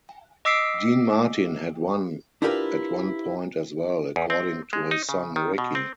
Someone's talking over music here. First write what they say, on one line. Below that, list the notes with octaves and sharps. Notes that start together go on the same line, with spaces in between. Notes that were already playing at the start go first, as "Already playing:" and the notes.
Dean Martin had one at one point as well, according to his son Ricci.
D#5 D6 E6 B6 C7 D7
D4 E4 F4 G4 A#4 B4
E2
C4
G#3
D#4
C#3
D#3
B2
C4